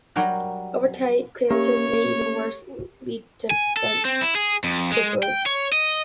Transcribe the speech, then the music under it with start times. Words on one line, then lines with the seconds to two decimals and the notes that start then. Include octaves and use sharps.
Over-tight clearances may, even worse, lead to bent pushrods.
0.16 F#3 G3 A#4 F#5
1.50 A#3 C#4 G4 A#4 C#5 E5
3.51 G#5
3.77 A4
4.05 C4
4.21 E4
4.36 G#4
4.64 F2
4.92 G#3
5.23 G5
5.46 C#5
5.73 D#5